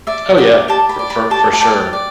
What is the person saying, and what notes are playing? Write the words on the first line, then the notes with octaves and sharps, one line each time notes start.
Oh, yeah, for for for sure,
D5 E5
G4 F#5
G4 A5
B5
D5
B5
G4 A5
A5
D5 G5
D5